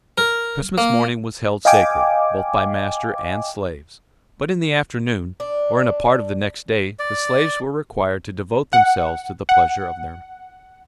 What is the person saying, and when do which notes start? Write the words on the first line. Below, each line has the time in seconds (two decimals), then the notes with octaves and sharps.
Christmas morning was held sacred both by master and slaves, but in the afternoon, or in a part of the next day the slaves were required to devote themselves to the pleasure of their masters.
0.18 A#4
0.78 A#3
1.65 D#5 F5 G5 G#5 D6
5.40 D4
6.99 D5
8.73 F#5
9.49 F#5